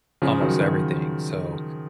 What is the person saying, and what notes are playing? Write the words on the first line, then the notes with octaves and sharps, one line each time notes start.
almost everything, so,
C#3 F3
D#3 F#3
D#3 F#3